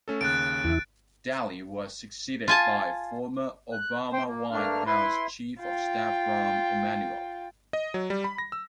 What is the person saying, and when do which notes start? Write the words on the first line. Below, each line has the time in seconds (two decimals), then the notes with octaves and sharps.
Daley was succeeded by former Obama White House Chief of Staff Rahm Emanuel.
0.08 A3 C#4 A4
0.21 D#2 C#3 F#6 A6 D7
0.64 E2 E4
2.48 F4 G#5 A5
3.72 F#6
4.13 C5 G5 C6
4.26 A#3
4.51 G2 A3 A#3 D4 F6
4.86 E4 B4 C6
5.60 F4 G5
7.73 D#5
7.94 F#3
8.10 G3
8.24 B5
8.38 A#6
8.52 E6